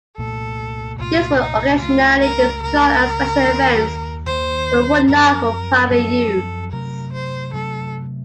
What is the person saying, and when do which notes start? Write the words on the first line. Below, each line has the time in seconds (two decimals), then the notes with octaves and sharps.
These were occasionally deployed at special events but were not for private use.
0.18 C2 A#2 A3 A4
0.99 C2 A#2 A3 F4
1.40 D#4
1.81 C#2 C#3 A3 F4
2.22 A#4
2.63 C#2 C#3 A3 A#4
3.44 D#2 D#3 A#3
4.26 D#2 D#3 A#3 C5
5.08 F#2 F3 C4 A#4
5.90 F#2 F3 C4 A4
6.72 C3 F#3 A3 A#4
7.13 C5
7.53 C3 F#3 A3 A4